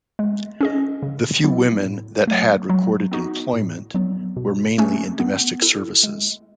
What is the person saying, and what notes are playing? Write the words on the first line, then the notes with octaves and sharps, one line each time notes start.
The few women that had recorded employment were mainly in domestic services.
G#3
C#4 G#4 D#5
C#3
F#3 B3 E4
A2
F#3 A3
F#3
B3 D#4 F#4
A2
F#3 B3
B2
A3 C#4 G#4
B3
E4 A4
G#3